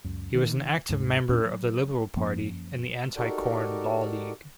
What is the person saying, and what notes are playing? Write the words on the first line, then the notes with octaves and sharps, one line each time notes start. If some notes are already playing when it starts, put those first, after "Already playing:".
He was an active member of the Liberal Party and the Anti-Corn Law League.
C#2 F#2
D#3
D2 G#2
E2 A#2 C#4 D4
F#3
F#2 F3 A#3 C#4
D#4 F#4 G4 A4 A#4 D5